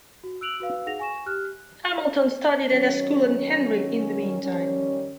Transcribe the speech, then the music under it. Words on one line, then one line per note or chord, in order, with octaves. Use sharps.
Hamilton studied at a school in Henry in the meantime.
F#4
E6 F#6 D7 F7 F#7
F#4 B4 F5 E6
D#4 G#4 F#5 A#6 F7
G#5 C#6 E7
G4 F6 F#6
D#3 F#3 C#4
D#3 G3 C#4